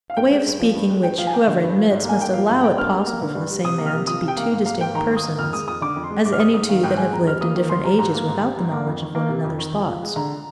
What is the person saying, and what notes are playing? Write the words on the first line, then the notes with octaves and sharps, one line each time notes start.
A way of speaking which, whoever admits, must allow it possible for the same man to be two distinct persons, as any two that have lived in different ages without the knowledge of one another's thoughts.
F5
G2 G5
G#3
G2
F3
G2
G#3
G2 G5
F3 F5
G#5
A#3 G5
D3 F5
G2
F3
G#2
A#3 G#5
G#2 G5
F3 F5
G#2
A#3 G5
G2 F6
G3
A#3
D3
G2
G3
C3 D#6
A#3
F6
C3
F3 D#6
C3
G5
A#3 F5
G#2 F5
A#3 F5
G#2 G5
D#3 A#5
G#2
D#6
A#3
F2 F6
G#3 D#6
F2 D#6
D3 D6
F2
C6
G#3
G#2 D6
F6
G#3 D#6
G#2 D#6
D#3 F5
G#2 G5
G#3 G#5
F2 A#5
G3 F6
A#3 D#6
D#3
F2 C6
G3 A#5
G#2 A#5
A#3
G#2
G3
G#2
A#3
F2
D#3
A#3
C3
F2
D#3
F2
F3
G#3
D3 A#5